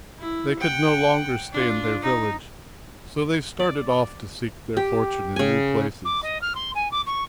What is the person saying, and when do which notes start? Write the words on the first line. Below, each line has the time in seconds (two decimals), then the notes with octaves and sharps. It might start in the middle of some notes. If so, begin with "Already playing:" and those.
They could no longer stay in their village, so they started off to seek their fortune in new places.
0.19 E4
0.60 F#5 G5
1.53 D4 F4
2.02 D#4
3.59 D5
4.77 G4
5.36 C#3 G#5
6.05 D6
6.23 D#5
6.42 F6
6.55 C6
6.75 G#5
6.92 D6
7.07 C#6